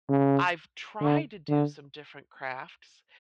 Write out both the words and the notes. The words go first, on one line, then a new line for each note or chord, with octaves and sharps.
I've tried to do some different crafts,
C#3
D3
D3